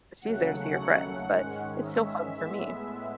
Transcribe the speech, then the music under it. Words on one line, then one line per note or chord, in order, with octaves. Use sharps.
she's there to see her friends, but it's still fun for me.
D#2 C#3 F#3 A3 C#4 F#5
G#2 D#3 G#3 C#4
E5
A2 G#3 B3